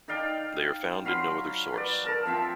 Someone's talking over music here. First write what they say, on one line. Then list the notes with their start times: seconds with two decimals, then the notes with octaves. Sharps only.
They are found in no other source.
0.08 D#4 D5 F5 G5
1.05 F#3 F5 B5 C6
1.73 B4 D5
2.04 A4 A#4 A5
2.26 F3 C4 E5